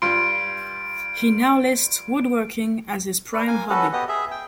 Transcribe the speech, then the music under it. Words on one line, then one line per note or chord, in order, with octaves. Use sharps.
He now lists woodworking as his prime hobby.
G2 F4 C6 D7
B4 D5
A#4 F5 G#5
C#4 F#4 A4 B4
B3 G4 D#5 D#6
G#4 E5
G5